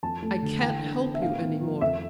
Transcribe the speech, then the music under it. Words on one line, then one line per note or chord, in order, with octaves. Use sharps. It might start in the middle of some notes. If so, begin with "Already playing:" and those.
I can't help you any more.
F2 A5
A3
D3
E3 G5
D4
B3
E5
A2 F5
B3
F3
F2 E5